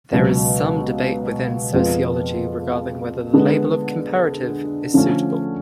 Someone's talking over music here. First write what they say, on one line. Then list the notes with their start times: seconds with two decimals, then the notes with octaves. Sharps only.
There is some debate within sociology regarding whether the label of 'comparative' is suitable.
0.12 C#2 B2 F#3
1.73 F2 F3 G#3 B3 F4
3.34 D3 G#3 B3
4.94 D3 F3 A3 C#4